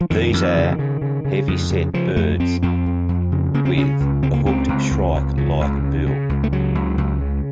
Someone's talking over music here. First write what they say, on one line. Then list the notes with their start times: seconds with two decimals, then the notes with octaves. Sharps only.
These are heavyset birds with a hooked shrike-like bill.
0.01 F3
0.10 F2 D#3
0.33 F2
0.57 C#3
0.79 C#3
1.01 C#3
1.25 C#3
1.48 F2
1.70 C#3
1.94 C#3 F3
2.16 F2 A3
2.39 F2 C4
2.62 F2 C4
2.86 F2
3.09 F2
3.32 C#3
3.54 C#3 A#3
3.65 C4
3.78 C#3 C#4
4.00 C#2
4.22 C#3 C4
4.34 A#3
4.46 C#2 C4
4.68 C#2
4.91 C#2
5.15 C#2
5.37 C#3
5.61 C#2
5.84 C#3
6.06 C#3
6.29 C#2
6.44 A3
6.52 C#3 F#3
6.75 C#2
6.98 C#2
7.21 C#3